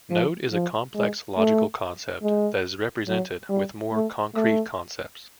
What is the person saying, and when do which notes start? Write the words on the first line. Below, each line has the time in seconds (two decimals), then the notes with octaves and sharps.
Node is a complex, logical concept that is represented with more concrete concepts.
0.11 F3
0.52 F3
0.95 G#3
1.38 A3
2.22 G#3
3.08 F#3
3.50 G3
3.92 A3
4.35 A3